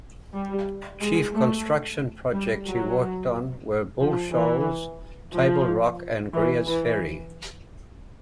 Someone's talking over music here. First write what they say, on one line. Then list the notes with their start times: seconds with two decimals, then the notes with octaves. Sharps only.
Chief construction projects he worked on were Bull Shoals, Table Rock and Greers Ferry.
0.34 G3
1.00 G#3
1.33 A3
2.34 G3
2.66 F#3
4.01 F3
4.33 E3
5.34 F3
6.33 E3
6.67 E3